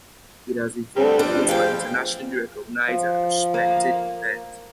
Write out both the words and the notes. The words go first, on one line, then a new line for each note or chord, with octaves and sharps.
It has evolved into an internationally recognized and respected event.
D2 G2 G3 C4
F2 D4
F3 C4 G#4 F5 G5
F3
A#3